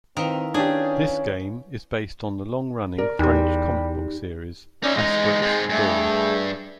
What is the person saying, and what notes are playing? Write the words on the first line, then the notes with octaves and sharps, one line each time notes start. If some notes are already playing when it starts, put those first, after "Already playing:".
This game is based on the long-running, French comic book series "Asterix the Gaul".
D#3 C4 E4 B4 F5
C#4 D4 G4 G#4
A#4 D5
E2 G3 D#4 G4
C#4 D#4 D5 E5
E2 G#3 D#4 A#6
G#2 C4 G#4
G2 A3